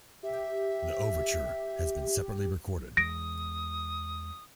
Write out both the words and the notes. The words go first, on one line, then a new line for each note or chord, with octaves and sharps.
The overture has been separately recorded.
G4 E5
E2 G#3 D#6 A#6 D7